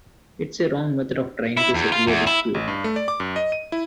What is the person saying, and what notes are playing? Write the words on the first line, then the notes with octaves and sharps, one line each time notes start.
It's a wrong method of trying to settle a dispute.
E4
E2
F4
E2
E4
A1
G2
A3
D5
D6
F#2
D#5
D#7
E4